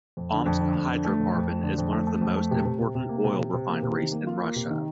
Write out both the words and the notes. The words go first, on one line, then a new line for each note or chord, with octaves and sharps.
Omsk Hydrocarbon is one of the most important oil refineries in Russia.
F2
D3
F2
D3
F2
D3
A3
F2
F2
A3
D3
F2
A3
A3
F2
A3
C3
C3
C3
C3
A#3
C3
C3
C3
A#3
C3
D#3
A#3
F4
A#3
C3
D#3